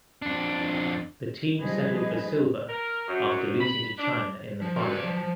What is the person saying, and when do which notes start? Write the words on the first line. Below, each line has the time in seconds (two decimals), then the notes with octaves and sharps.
The team settled for silver after losing to China in the final.
0.22 F2 D4
1.60 F3 G3 D#4 G#4 B4 D#5
2.69 A#4
3.08 F#2
3.61 B5
3.98 D4
4.62 F3
4.76 F#4 A#4
4.90 B4 D5
5.04 F3
5.18 F3